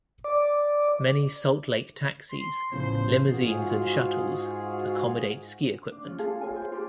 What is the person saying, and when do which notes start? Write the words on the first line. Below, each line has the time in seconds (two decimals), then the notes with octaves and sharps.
Many Salt Lake taxis, limousines and shuttles accommodate ski equipment.
0.24 D5
2.31 C6
2.72 A1 E2 C#3 F3 C5
3.30 G#2 F4 F#4 G#4
5.92 D4
6.04 C#4 F4
6.19 F4 G#4 A4 F5
6.41 F4 A4 C#5 G#5
6.56 C5
6.72 F4 G4 G#4